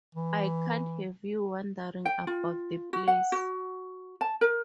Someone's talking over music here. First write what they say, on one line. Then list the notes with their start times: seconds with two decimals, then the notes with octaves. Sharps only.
I can't have you wandering about the place.
0.15 E3
2.05 G5
2.27 F4
2.93 F#4
3.07 F#5
3.32 F#4
4.21 A5
4.41 A#4